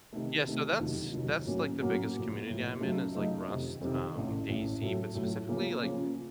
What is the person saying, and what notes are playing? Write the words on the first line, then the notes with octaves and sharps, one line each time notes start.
Yeah, so that's that's, like the biggest community I'm in is, like, Rust, um, Daisy, but specifically, like,
C3 D#3 A3
C3 D#3 A3
F1 D#2 D#3 F#3
F1 D#2 D#3 F#3
A2 F#3 A#3 C#4 F#4
A2 F#3 A#3 C#4 F#4
A2 F3 A#3
A2 F3 A#3
F#2 C#3 F#3 A3 D#4
F#2 C#3 F#3 A3 D#4
F2 C3 D#3
F2 C3 D#3
A1 A2 A3
A1 A2 A3
A2 F#3 A3
A2 F#3 A3
C#3 F3 A#3 C#4 F4
C#3 F3 A#3 C#4 F4